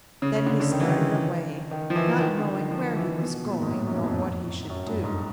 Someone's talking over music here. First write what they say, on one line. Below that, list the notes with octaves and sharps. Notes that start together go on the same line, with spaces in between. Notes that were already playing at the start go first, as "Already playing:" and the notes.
Then he started away, not knowing where he was going nor what he should do.
C#3
C#3
D3
D3
D#3
E3
D#3
D#3
F3
E3
D#3
D3
D#3
F3
E3
B2
A#2
G#2
A2
F#2
F2
F#2
G2
G#2